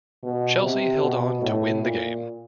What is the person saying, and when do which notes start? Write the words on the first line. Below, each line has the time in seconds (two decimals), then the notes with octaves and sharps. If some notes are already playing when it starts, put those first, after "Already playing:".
Chelsea held on to win the game.
0.23 B2
0.63 C3
1.02 B2
1.42 A2
1.82 A#2